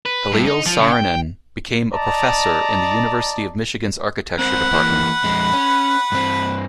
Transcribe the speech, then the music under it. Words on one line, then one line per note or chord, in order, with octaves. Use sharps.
Eliel Saarinen became a professor in the University of Michigan's Architecture Department.
B4
G2
D#4
F3
C#3
G5
D5 D#5 A5 A#5
C4 A#4 B4 F#5
E3 A#3
F2 G#3
C#4
G2 C4